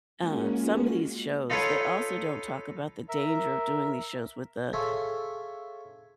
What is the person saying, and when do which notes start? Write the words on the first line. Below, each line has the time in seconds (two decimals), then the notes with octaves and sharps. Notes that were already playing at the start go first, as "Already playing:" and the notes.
uh, some of these shows, they also don't talk about the danger of doing these shows with the
0.18 G#3 A#3 C#4 F4 F#4
1.50 D#4 F4 A4 B4 C#5
3.09 A#4 E5
4.73 G#4 A4 C5 C#5 E5 F5